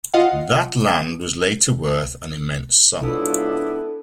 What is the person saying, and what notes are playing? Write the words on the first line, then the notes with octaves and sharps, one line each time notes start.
That land was later worth an immense sum.
F4 D#5 F5 F#5
G#2 C#3 G#3 B3 D4 E4 F4 A4